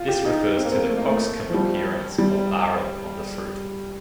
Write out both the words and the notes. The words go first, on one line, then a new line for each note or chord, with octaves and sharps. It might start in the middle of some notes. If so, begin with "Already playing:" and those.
This refers to the cockscomb appearance of aril on the fruit.
Already playing: F4
G4
D#4
C4
A#3
C4
A3
A#3
A3
F3
G3
G3